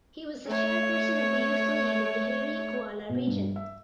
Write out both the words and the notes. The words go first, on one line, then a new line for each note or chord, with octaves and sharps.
He was chairperson of the youth league in the Harry Gwala Region.
A3 C#5
B2
G2
E5